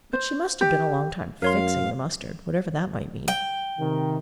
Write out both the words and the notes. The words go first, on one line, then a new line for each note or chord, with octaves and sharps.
But she must have been a long time "fixing" the mustard; whatever that might mean.
C5
G4
F#2 A#4 C#5 F5 C6
G5
C3 D#3